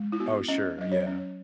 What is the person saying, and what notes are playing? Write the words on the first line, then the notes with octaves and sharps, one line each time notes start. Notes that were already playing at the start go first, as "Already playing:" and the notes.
Oh, sure. Yeah.
Already playing: G#3
E4
B3 F#4
C#4 D#5
F#3 D#5
C#5
C#4